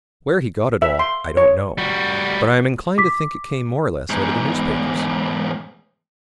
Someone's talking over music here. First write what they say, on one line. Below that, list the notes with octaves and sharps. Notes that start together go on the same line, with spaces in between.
Where he got it all, I don't know, but I am inclined to think it came more or less out of the newspapers.
E5
C6
C#5
G3 F#4
D6 B6
E2 G#2